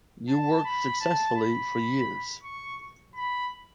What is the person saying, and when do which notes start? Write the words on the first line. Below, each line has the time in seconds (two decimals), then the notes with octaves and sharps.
You worked successfully for years.
0.28 A5
0.65 B5
1.00 A5
1.36 B5
2.44 C#6
3.16 B5